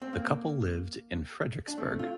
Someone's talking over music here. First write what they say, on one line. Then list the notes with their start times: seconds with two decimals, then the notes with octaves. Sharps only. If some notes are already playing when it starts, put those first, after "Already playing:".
The couple lived in Frederiksberg.
0.02 C4
0.13 A#3
1.68 D4
1.78 A3 C4
1.99 F4